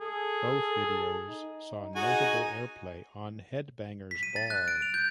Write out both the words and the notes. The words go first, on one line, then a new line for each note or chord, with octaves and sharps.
Both videos saw notable airplay on "Headbanger's Ball".
G#4 A4
D#4
D#4 F#4 G#4 G#5
B6
D#7
A6
F#6
D7
F7
G6